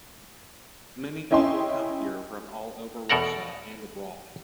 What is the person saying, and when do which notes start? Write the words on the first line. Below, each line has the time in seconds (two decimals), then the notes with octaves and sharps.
Many people come here from all over Russia and abroad.
1.31 C#4 E4 D#5 G5 G#5 C6
3.09 E2 B2 A4 A#4 F#5 A#5